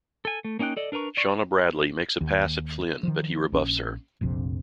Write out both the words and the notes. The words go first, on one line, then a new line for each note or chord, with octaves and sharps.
Shauna Bradley makes a pass at Flynn but he rebuffs her.
A4 G#5
A3
A#3 C#4 D#4 G5 F#6
A4 D5 D#5
D4 A#4 B4 A#5 C#6
D5 C#6
D#2
D#3 F3
A#1 C#4
F1 A#1 F2 C3